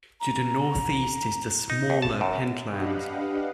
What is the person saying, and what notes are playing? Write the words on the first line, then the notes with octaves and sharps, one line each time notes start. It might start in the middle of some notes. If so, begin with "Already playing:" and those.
To the northeast is the smaller Pentland.
A#5
D#4
D#2
A5
F#2
D4 G4 B4 D#5 F5 F#5